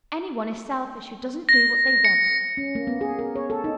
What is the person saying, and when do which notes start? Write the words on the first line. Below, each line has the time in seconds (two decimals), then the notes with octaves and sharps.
Any one is selfish who doesn't do what they want.
1.49 A#6
2.05 C#7
2.57 C#4
2.75 A#3
2.87 B3
3.01 G#4
3.19 A#4
3.36 C#5
3.50 A4
3.64 D#4